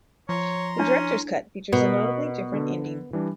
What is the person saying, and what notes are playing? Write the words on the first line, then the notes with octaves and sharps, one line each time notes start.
The director's cut features a notably different ending.
F3 C#5 A#5 C6
C#4 D4 E4
B2 B3 A#4
D3
E3 G3 D4